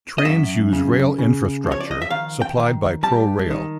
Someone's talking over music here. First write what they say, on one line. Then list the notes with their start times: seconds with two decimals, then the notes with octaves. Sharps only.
Trains use rail infrastructure supplied by ProRail.
0.18 D#5
0.25 F#2 E5
0.73 C#3
1.18 C#3
1.64 F3
1.72 C#5
1.80 D5
1.91 D#5
2.02 E5
2.10 D#3 F5
2.42 G5
2.57 D#3
3.03 G3 A5
3.50 D#3